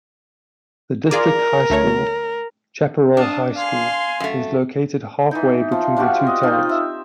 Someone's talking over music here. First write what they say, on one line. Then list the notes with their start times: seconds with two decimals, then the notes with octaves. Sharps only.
The district high school, Chaparral High School, is located halfway between the two towns.
1.11 F4 G#4 A#4 D5
1.70 D2 A3 C#5
3.17 D4 F5 A5 D#6
3.57 F5 G#5 C6
4.20 F#2 A3
5.31 E3 D#4
5.72 F3
5.97 G3 D4 F4 F#4
6.27 D#5
6.43 C4 D#4 F4
6.69 E5